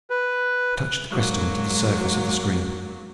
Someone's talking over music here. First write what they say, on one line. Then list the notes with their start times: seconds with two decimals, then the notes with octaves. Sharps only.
She touched the crystal to the surface of the screen.
0.10 B4
1.10 G#2 F#3 A#3